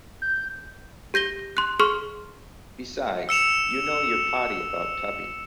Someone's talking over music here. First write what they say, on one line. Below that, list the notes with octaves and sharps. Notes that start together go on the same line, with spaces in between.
Besides, you know you're potty about Tuppy.
G6
G4 G6 A#6 G7
C6 F#6
G#4 C6 C#6 F6
E6 C#7 E7 F7